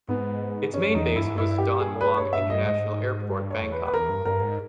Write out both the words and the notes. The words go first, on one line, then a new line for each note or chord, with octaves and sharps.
Its main base was Don Mueang International Airport, Bangkok.
G#2 B3
G2 C#4
G2
E2 D#4
G2 E4
G#2
G2 E4
G4
G#4
B4
C#5
E5
D#5
G#2 D#5
G2
C#5
E2
B4
B4
E2 A#4
G2
G2 A#4
G#2